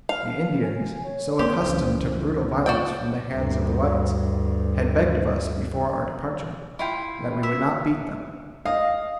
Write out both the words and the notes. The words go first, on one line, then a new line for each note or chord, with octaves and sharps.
The Indians, so accustomed to brutal violence from the hands of the whites, had begged of us, before our departure, that we would not beat them.
F5
G#5
C#5
D3 A#3 C4 G4 C6
C#2 F#2 E3 C5
F4 F#4 D5 G5
D2 G2
E4 F4 G5
E5
D#5 F5